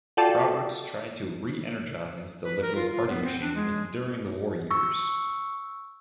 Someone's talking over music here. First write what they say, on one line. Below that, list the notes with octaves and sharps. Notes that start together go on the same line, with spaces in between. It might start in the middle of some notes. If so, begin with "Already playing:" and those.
Roberts tried to re-energise the Liberal Party machine during the war years.
F4 F#4 A4 D5 G5 A5
B4
A#4
F4
F4
B3
C4
D4
G#3
C#6 E6